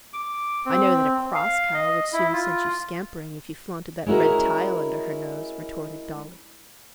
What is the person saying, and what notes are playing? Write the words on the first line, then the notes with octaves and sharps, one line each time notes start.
'I know that a cross cow would soon set you scampering, if you flaunted that red tile under her nose,' retorted Dolly.
D6
C4
F5
D#5
E4
F4
G#3 C#4 E4 F#4 A#4